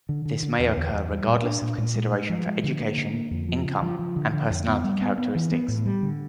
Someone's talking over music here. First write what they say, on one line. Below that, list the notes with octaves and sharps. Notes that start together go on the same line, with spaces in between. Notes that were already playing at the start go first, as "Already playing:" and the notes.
This may occur regardless of consideration for education, income, and personality characteristics.
D3
D3
D3
E2
E2
E2
G3
A#2
D4
A#2
A#2
G#3
G#3
F3
G#3
D3
A#3
D3
A#3
F2
F3
C#3
F3
F3
D3
D3
F2
B3
G3
B3
B3
E3
B3
A2
G3
D3